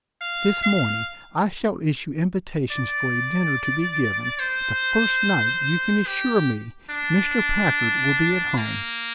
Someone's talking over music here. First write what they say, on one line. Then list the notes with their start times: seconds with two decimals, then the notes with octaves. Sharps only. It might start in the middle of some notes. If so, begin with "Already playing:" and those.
This morning I shall issue invitations for a dinner to be given the first night you can assure me Mr. Packard will be at home.
0.21 F5
0.63 F5
2.72 D5
4.39 C5
6.07 G4
6.90 D4
8.57 A#3